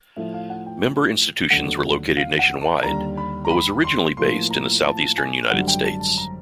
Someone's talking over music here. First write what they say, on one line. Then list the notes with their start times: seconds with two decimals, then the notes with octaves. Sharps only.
Member institutions were located nationwide, but was originally based in the southeastern United States.
0.16 A2 F3 A3 E5
0.34 F5
0.50 F#5
0.66 G5
1.50 D#2 D3 F#3 A3 F#5
2.17 F5
2.39 F#5
2.61 A5
2.83 D#2 D3 G3 A#5
3.17 B5
3.45 A#5
3.50 B5
3.84 C6
4.17 A2 F3 A#3 C6
4.51 A#5
4.84 A5
5.18 G#5
5.50 G#1 F#2 D3 G3 F#5
5.68 G5
5.85 A5
6.00 A5
6.17 A#5